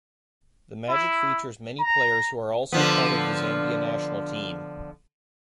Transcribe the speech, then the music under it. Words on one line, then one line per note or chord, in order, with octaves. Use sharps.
The Magic features many players who are also part of the Zambia national team.
E4
A#5
D3 F3 B3